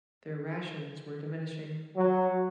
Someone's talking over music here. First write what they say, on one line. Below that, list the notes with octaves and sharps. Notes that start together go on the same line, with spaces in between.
Their rations were diminishing.
F#3